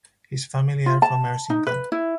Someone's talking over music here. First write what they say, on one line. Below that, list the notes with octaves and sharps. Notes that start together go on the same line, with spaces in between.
His family are from Erzincan.
F4
A5
D#4
B4
E4